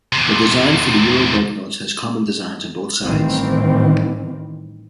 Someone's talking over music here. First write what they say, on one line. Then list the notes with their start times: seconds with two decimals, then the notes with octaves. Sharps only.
The design for the euro banknotes has common designs on both sides.
0.13 E2 C3
3.05 A1 D#3 E3 G3 C4